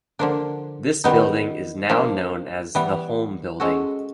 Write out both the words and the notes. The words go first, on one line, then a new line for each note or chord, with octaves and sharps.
This building is now known as the Holme Building.
D3 F3 A#3 D4
D#3 G3 B3 D#4
F3 A#3 D4
E3 G3 B3
G#3 C#4 F#4 A4